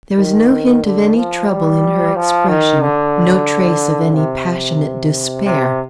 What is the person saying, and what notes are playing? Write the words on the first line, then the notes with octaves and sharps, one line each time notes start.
There was no hint of any trouble in her expression, no trace of any passionate despair.
D#3
D3
F3
G3
F3
D#3
D3
C3
C3